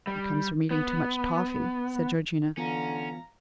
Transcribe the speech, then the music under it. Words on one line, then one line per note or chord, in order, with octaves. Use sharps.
"It comes from eating too much toffy," said Georgina.
G3
B3
D3 E3 B3 C#4 F4 F5 A#5